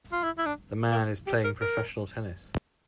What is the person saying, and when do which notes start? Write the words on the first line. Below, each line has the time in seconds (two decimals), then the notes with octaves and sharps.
The man is playing professional tennis.
0.12 F4
0.23 E4
0.38 E4
0.46 D4
0.92 A#3
1.27 G4
1.44 A#4
1.61 A#4